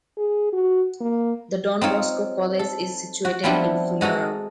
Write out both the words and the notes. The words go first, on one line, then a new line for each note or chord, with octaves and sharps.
The Don Bosco College is situated in Fuiloro.
G#4
F#4
A#3
C4 D#4 F4 C#5
A4
F#4
F3 G3 B3 C4 D4 E4
G#3 F#4 A4 D#5 A#5